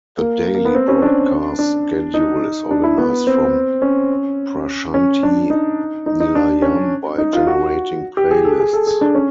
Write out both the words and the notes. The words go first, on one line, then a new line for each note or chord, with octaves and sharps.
The daily broadcast schedule is organized from Prashanthi Nilayam by generating playlists.
A#3
A#3
B3
C4
C#4
D4
D4
D#4
D4
E4
B3
C4
C#4
C#4
D4
D#4
D#4
D#4
D4
C#4
D#4
F4
F#4
G4
G#4
A4
G#4
A4
G#4
D4
C#4